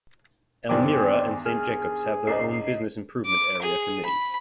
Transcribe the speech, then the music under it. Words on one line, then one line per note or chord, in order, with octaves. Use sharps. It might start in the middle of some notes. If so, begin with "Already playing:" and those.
Elmira and Saint Jacobs have their own Business Improvement Area committees.
E2 G2 D#3 C4 D5 G#5 D6
G#4 F6
C#2 G#2 D#5 C7
D6
G#4
B5